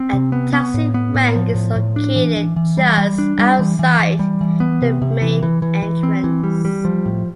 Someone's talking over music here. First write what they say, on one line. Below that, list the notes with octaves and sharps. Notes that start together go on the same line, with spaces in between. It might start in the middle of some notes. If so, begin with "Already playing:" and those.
A taxi rank is located just outside the main entrance.
Already playing: C4
C3
B3
B3
A2
B3
A2
F3
A2
A2
D4
E3
E3
E3
G3
G3
D4
G3
E3
E3
E3
G3
E3
B3
C3
C3
E3
E3
E3
E3
C4
E3
G3
G3
F3
A2